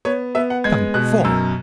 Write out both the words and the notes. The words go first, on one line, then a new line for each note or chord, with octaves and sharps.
Come, four?
B3 C#5
B3 E5
F#5
G#3 G#6
B2 F#6
F#2 E6